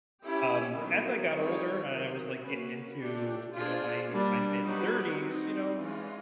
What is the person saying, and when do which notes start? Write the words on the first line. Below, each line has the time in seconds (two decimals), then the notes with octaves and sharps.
um, as I got older and I was, like, getting into, you know, my my mid-thirties, you know,
0.22 C#4 E4 G4
0.76 D#3 F#3 B3
1.32 G3 C4 D#4 G#4 C#5
1.88 D#3 F#3 B3
2.43 A#3 C#4 F#4 B4
2.98 A3 D4 G4
3.54 D4 F4 G#4 C5
4.09 G3 A#3 D4
4.65 F#3 B3 D#4 G4 B4
5.20 C4 D#4 F#4
5.76 E3 G#3 C#4 F4